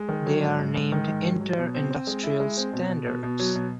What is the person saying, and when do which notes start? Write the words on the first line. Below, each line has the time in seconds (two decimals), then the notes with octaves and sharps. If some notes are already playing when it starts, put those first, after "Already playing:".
They are named inter-industrial standards.
Already playing: G#3
0.09 D#3
0.26 F#3
0.42 G#2
0.59 G#2
0.75 G#2
0.92 D#3
1.08 G#2
1.25 F#3
1.41 F#3
1.58 B2
1.74 C4
1.91 C4
2.07 G#3
2.23 E4
2.40 G#3
2.57 C4
2.73 B2
2.90 B2
3.06 B2
3.23 B2
3.39 F#3
3.55 B2